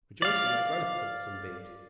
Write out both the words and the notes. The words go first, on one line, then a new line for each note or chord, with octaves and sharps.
"Rejoice in thy growth!" said the Sunbeams.
D5 F5